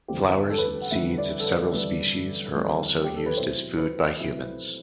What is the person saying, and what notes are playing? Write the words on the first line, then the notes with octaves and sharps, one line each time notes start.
Flowers and seeds of several species are also used as food by humans.
E2 D3 G3 C4 G4
A4
B4
A4
F#5
E2 D3 G3 C4 E5
D5
A4
B4
E2 D3 G3 C4 B4
E2 D3 G3 C4
G4
A4
B4
B2 F#3 C4 E4 C5
B4
B2 F#3 C4 E4